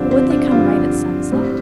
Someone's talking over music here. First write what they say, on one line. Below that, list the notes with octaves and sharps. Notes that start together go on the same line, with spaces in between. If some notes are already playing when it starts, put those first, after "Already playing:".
'But would they come right at sunset?'
Already playing: G2 D3 F3 C4 D4
C4
D4
G2 D3 F3 F4
A2 G3 C4